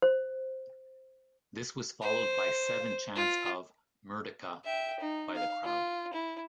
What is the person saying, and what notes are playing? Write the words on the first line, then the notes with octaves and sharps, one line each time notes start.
This was followed by seven chants of "Merdeka" by the crowd.
C5
C5
F4
E5 G5
D#4
F5
F4
E4